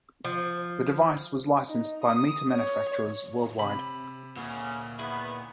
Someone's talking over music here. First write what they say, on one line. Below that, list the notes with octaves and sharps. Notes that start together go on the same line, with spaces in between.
The device was licensed by meter manufacturers worldwide.
F3
D#4
D#6
C#5
C3 B5
D2 A#2 C#3
D#3 B3 E4 G#4